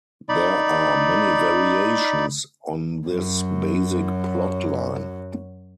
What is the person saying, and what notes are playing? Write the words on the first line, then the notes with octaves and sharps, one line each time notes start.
There are many variations on this basic plotline.
D#4 D5 B5
F#2 F#3